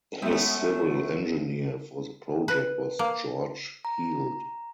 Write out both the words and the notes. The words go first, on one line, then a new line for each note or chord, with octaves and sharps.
His civil engineer for the project was George Heald.
F#2 G#3 A3 B3 E5
B4
A#3
A#5